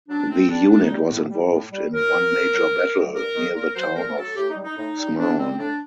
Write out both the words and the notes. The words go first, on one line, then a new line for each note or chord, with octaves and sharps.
The unit was involved in one major battle, near the town of Smarhon.
F#3 D4
A2 C4
G3 D4
A2 D4
D#4
G3
A2
G3
A2
G3
F#2 A#4
F#3
F#2
F#3
G2
D#3 F#3
G2 A#4
D#3 F#3
A#2 A#4
F#3 C5
A#2 A#4
F#3 A4
A2 G4
D#4
G3
D#4
A2 D#4
G3
A2 D4
G3 C4
A2 D4